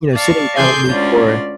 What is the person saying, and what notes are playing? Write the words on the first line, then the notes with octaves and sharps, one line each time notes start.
you know, sitting down with me for
D5 F5 A5 C#6
G#4 A4 G#5 C6 D6 G6
D2 G#3 C#4 F4 D5